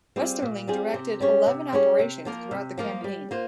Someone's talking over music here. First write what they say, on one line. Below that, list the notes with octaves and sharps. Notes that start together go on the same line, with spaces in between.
Westerling directed eleven operations throughout the campaign.
G3 C4 F4 G#4
A#2
G3 C4 F4 G#4
C3
G3 C#4 G#4 C#5
C3
G3 C#4 G#4 C#5
C3
F3 A#3 F4 A#4
C3
F3 A#3 F4 A#4
G3
A#3 F4 C5